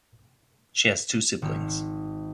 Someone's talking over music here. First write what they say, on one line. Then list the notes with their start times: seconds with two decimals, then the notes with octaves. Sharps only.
She has two siblings.
1.42 G#1